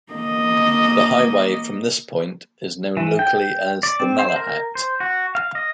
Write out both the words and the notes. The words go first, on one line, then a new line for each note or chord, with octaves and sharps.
The highway from this point is known locally as the Malahat.
A#3 D#5
E3
G5
G5
D5
C4
C5
A#4
C5
F#4
F5
D#5